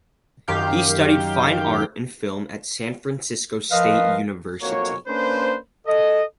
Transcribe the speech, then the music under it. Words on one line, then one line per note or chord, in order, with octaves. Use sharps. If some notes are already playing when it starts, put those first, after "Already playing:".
He studied fine art and film at San Francisco State University.
F#2 D#3 G4 F5 G6
F3 A#4 B4 D#5 F5
B1 F2 A#3 F#4 C#5
A#3 C#4 D4 B4 C5
A4 D#5